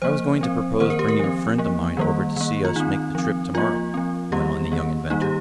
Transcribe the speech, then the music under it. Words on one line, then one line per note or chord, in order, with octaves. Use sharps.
"I was going to propose bringing a friend of mine over to see us make the trip to-morrow," went on the young inventor.
F3 A#3 C5
F3 C4
D#3 A#3 C5
A#4
G4
A#4
F3 C4
F3 A#3
D#3 G3 A#3
D#3 A#3
F4
D#3 C4 D#4
F3 C4
F3 A#3 F4
F3 C4
D#3 G3 A#3 G4
D#3 A#3
D#3 G3 A#3 D#4
G4